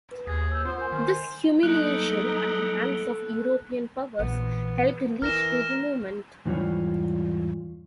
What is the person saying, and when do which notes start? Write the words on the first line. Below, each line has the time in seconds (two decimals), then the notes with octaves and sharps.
This humiliation at the hands of the European powers helped lead to the movement.
0.11 B4
0.27 D#2 G#4
0.52 E6 G6
0.65 B3 F4 C5
0.78 A#4 G#5
0.92 D#3
1.63 F#3 G3 A#3 B3 D#4 A4 F#6
4.19 A#1 E3 B3
5.22 E3 F4 A#4 F6 A#6 E7
6.46 E2 G#2 E3 G3 F4 C#5